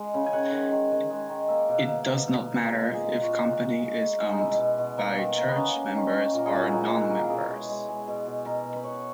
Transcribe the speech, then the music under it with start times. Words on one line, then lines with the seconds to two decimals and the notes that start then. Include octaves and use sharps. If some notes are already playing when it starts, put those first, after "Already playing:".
It does not matter if company is owned by church members or non-members.
Already playing: G#3
0.14 C#3
0.26 G#5
0.33 D#3 F#5
0.52 D#3
0.71 D#3
0.91 D#3
1.10 G#3
1.29 D#3
1.48 A#3 E5
1.69 B2
1.87 A#3
2.07 B2
2.27 B2
2.46 A#3
2.65 G#3 A#4
2.84 A#2
2.94 G#4
3.04 G#3
3.23 A#2 F#4
3.42 A#2
3.62 G#3
3.82 G#3
4.00 G#3
4.21 G#3
4.33 D#4
4.39 B2 E4
4.58 B2
4.78 B2
4.98 A#3
5.17 D#3
5.37 A#3
5.48 B3
5.55 A#3 C#4
5.75 A#3
5.95 D#3
6.14 F#3
6.34 A#2 A#4
6.46 G#4
6.53 A#2 F#4
6.64 E4
6.72 A#2 D#4
6.91 F#3
7.01 E4
7.10 A#3
7.30 B2 G#4
7.50 G#3
7.69 G#3
7.89 G#3
8.08 B2
8.27 B2
8.46 B2 A#4
8.66 B2
8.76 B4
8.84 B2 C#5
8.91 B4